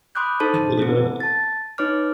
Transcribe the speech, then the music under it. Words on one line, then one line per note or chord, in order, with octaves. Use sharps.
You know?
B5 C6 D6 D#6 F#6 G6
D#4 A4 C5 A5 C6
C4 E4 A4
A5 A6
D#4 B4 C#5 D6 F6